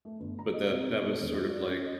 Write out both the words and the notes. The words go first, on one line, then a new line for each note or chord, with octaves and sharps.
but the that was sort of like,
A3
G1
A#5
D#5
C3
B2
A4
E1
F4
D5
C#4
D#5